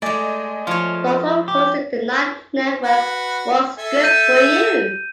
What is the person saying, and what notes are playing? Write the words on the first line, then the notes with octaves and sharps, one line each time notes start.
Thornton hosted the Nine Network's "What's Good For You".
G#3 A3 D5 D#5 G#5
F3 F4 C#5
G4
F#4 B4
A4 E5 G#5
G6 D#7